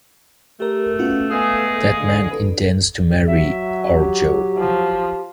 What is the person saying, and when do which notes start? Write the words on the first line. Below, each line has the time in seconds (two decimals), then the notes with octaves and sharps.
That man intends to marry our Jo!
0.60 A3 G4 A#4
0.99 B3 C#4 F4 F#4
1.31 G#3 B3 G#4 F5 D#6
1.98 D3
2.31 D4 A4 B4
3.27 F#3 E5
3.98 G4
4.59 F3